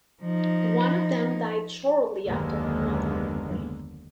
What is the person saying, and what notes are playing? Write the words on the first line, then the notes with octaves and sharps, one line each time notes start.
One of them died shortly after her mother.
F3 D#4
F#1 D#2 D3 G#3 A#3 B3